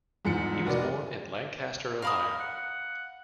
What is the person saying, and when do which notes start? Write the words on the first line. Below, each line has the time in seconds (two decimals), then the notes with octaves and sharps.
He was born in Lancaster, Ohio.
0.25 E2 G#2 F3 C#7
0.67 F1 F#4 A#4 D5
2.02 A#4 F5 B5 D#6
2.40 F#5